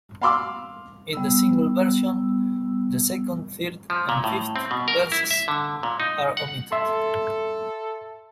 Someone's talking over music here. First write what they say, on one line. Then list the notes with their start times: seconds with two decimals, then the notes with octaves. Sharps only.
In the single version the second, third, and fifth verses are omitted.
0.22 F5 B5 C6 D6 E6
1.13 G3 B3 E6
3.90 F3
4.09 A#2
4.24 A2
4.56 C4
4.71 B2
4.88 A#4
5.12 E4
5.31 E5
5.48 D3
5.83 A#2
6.00 D#4
6.37 F#5
6.72 A4 E5 C6